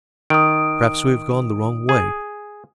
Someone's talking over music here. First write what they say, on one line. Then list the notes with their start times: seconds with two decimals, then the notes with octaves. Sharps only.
"Perhaps we have gone the wrong way."
0.30 D#3 D#6 D7
1.89 G#4